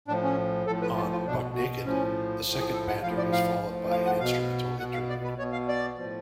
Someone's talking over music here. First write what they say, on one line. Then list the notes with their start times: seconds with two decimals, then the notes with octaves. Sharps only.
On "Buck Naked", the second banter is followed by an instrumental interlude.
0.08 A2 F3 D4
0.23 C#4
0.67 A2 F3 A4
0.82 B4
0.96 F4
1.11 F4
1.26 B2 D4
1.56 F#4
1.85 A2 F3 C#4
2.44 A2 F3
2.59 G#4
2.73 A4
2.88 F#5
3.02 A2 F3 F5
3.17 D5
3.32 F5
3.61 A2 F3
3.91 F5
4.06 F#5
4.20 B2 F5
4.79 B2 F#5
4.94 F5
5.09 D5
5.23 B4
5.38 B2 C#5
5.52 F5
5.68 D5
5.97 A2 F3